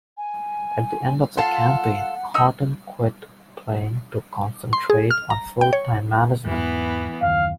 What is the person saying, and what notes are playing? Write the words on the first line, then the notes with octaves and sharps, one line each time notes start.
At the end of the campaign Horton quit playing to concentrate on full-time management.
G#5
F4 A4 F#5 C6
D#4 E6
C6
G#4
F6
A#5
G5
C#5
E2 G#2 E3 B3
F#1 D#2 F5